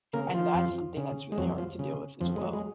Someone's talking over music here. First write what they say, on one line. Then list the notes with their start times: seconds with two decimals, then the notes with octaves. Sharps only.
and that's something that's really hard to deal with as well.
0.13 C#3 A#3 A#4
0.34 F3 F4
0.54 F2
0.97 C#3
1.32 G#3
1.38 F2 F#3
1.58 F3
1.79 C#3
2.21 F2 F3
2.36 G#3
2.42 F#3
2.53 G#3